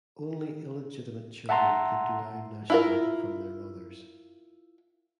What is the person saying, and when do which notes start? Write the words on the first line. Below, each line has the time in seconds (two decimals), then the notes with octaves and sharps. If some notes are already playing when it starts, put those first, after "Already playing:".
Only illegitimate children could derive nationality from their mothers.
1.49 E5 F#5 A5 A#5 C6
2.70 E4 F4 A#4